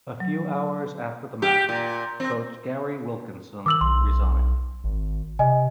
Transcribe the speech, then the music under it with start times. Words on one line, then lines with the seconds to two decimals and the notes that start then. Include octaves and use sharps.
A few hours after the match, Coach Gary Wilkinson resigned.
0.20 F#3
1.42 G4
1.69 A#2
2.20 C4
3.66 D#3 D6 E6 F#7
3.81 B1 C6
4.84 G#1
5.39 C3 D#5 G#5